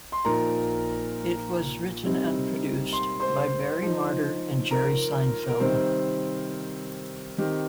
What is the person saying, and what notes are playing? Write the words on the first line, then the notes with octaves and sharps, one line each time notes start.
It was written and produced by Barry Marder and Jerry Seinfeld.
C6
A#2 F3 D#4 A#4 A#5
C3 G3 C4 D#4
C6
C5 C6
F3 D#4
A#4 A#5
A#4
C3 D#3 G3 C4 D#4 C5
D#3 C4 D#4 G4